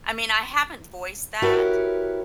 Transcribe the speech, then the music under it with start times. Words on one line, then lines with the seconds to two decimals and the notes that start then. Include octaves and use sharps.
I mean, I haven't voiced that,
1.42 E4 F#4 G4 A#4 B4 C#5